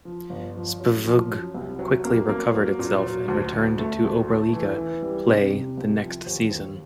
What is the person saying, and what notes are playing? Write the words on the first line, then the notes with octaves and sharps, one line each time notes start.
"SpVgg" quickly recovered itself and returned to Oberliga play the next season.
F3
G1
F3
F#2
F3
F#2
C2
F#3
A#3
A#3
F#3
A#2
F#3
D2
D2
A3
D2
A3
E3
E3
G3
C3
C3
C2
F3
D#2
D#2